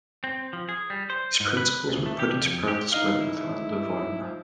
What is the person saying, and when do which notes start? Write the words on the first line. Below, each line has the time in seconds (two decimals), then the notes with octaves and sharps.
These principles were put into practice by Marthanda Varma.
0.24 C4
0.53 F3
0.69 G#4
0.90 G3
1.10 C5
1.40 G#2
1.57 B4
1.89 D2
2.06 A3
2.19 G4
2.41 F2
2.68 G4
2.92 D#4 D#5 F5 D#6
3.20 E4
4.22 F3